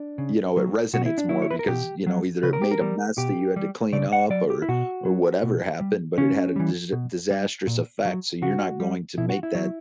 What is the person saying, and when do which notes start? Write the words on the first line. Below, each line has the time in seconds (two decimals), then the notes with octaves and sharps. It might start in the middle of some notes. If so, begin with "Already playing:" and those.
you know, it resonates more because, you know, either it made a mess that you had to clean up or or whatever happened, but it had a dis disastrous effect, so you're not going to make that,
Already playing: D4
0.18 C#3
0.57 F#3
0.93 B2 F#4
1.06 E4
1.18 D4
1.29 F#3 E4
1.42 C#5
1.51 B4
1.59 A#4
1.68 B2 G4
2.06 F#3
2.43 C#3 B4
2.53 A#4
2.62 G4
2.71 A#4
2.81 G3
3.18 B2 G4
3.56 G3
3.93 C#3 D5
4.12 F#5
4.30 F#3 D5
4.50 G4
4.62 E4
4.69 B2 F#4
5.05 F#3
5.43 B2
5.81 G3
6.18 C#3 C#4
6.56 E3 G3
6.92 B2
7.31 G3
7.67 A#2
8.05 F#3
8.42 C#3 F#4
8.80 G3
9.18 B2 E4
9.29 F#4
9.43 E4
9.55 F#3